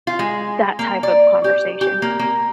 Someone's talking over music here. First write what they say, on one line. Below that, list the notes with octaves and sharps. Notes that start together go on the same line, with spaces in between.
that type of conversation.
F4
G#3
A#3
D5
G4
G4
A#3
A#3